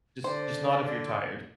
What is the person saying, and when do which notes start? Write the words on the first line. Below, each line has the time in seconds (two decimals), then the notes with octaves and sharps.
Just just not if you're tired,
0.24 D3 C5 D5